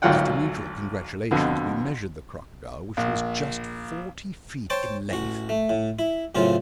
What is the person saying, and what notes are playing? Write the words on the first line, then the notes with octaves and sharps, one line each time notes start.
After mutual congratulations, we measured the crocodile, which was just forty feet in length.
G#1 D2 F#3 F4 F#5 G5
F2 B2 D3
A#1
C5 C#5 G5 A5
A1 F#4
A3
A2
E4
F#2 A2 C#3 C4 F4